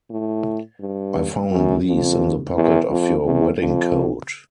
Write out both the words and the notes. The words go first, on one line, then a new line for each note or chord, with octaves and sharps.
I found these in the pocket of your wedding-coat.
A2
G2
F#2
F2
E2
F2
E2
F2